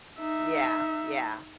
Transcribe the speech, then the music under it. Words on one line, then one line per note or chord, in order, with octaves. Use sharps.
Yeah, yeah.
D#4 E5